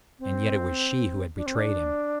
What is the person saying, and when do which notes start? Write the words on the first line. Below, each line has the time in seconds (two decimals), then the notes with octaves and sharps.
And yet it was she who had betrayed him.
0.19 C4
1.36 D4
1.46 C4
1.55 D4